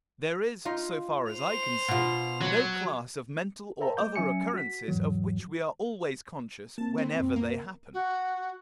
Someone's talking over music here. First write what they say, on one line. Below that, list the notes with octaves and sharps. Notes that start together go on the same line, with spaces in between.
There is, so far as I can see, no class of mental or other occurrences of which we are always conscious whenever they happen.
D#4 F4
C5 F7
B2 F4
F#3
A#4 C5 E5 G5 A5 A#5
A3 D#5 D6 G6
F#3 C#4 E5 G#5 C#7
F#4 B6
E2 G#2 E3 F#3
A#3 C4 A5
C4 B5
C2 F#2
A#3
F#4